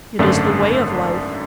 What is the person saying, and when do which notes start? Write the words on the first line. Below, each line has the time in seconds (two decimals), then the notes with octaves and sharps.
It is the way of life.
0.19 G#1 F#2 D3 A3 D4 D5